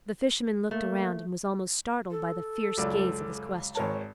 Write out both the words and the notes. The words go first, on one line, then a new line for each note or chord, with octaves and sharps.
The fisherman looked around and was almost startled by the fierce gaze of his questioner.
A3 A#3
A4
C#2 F#2 D5
G#1 A#4 C#5 A5